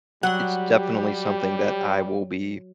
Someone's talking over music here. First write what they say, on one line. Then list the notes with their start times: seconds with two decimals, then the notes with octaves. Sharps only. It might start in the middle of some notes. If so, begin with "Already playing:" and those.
it's definitely something that I will be
0.23 F#3 G3 G4 F#5